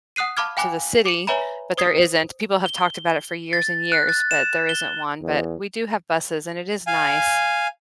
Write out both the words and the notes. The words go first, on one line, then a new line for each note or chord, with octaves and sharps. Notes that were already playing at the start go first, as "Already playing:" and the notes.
to the city, but there isn't. People have talked about it for years and years, but there isn't one. But we do have buses and it is nice
F#5 D#6 F#6 C7 D#7
F5 A5 B5 D6 F6 G#6
F5 G5 G#5 B5 D6 F#6
D6 C#7
B4 C#5 E5 G#5 A#5 B5
C5 D#6 G#6 C7
G7
A6
F#6
A6
E7
G7
E2
F5 G#5